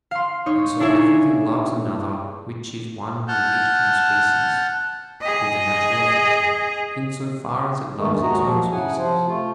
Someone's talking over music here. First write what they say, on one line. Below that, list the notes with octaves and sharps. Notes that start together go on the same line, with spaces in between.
And so everything loves another which is one with it in species, with a natural affection, in so far as it loves its own species.
F5 C6
D#4 C#5
D4 E4 G#4 C#5 E5
F#5 A5 F6 G6
G#4 D#5
E2 G2 D#3 G#3 A3
D#2 G#3 F#4 G#4 A#5
F3 F#3
C#3 E4 G#4 F#5 G#5
C3 F3 C5
A3 F4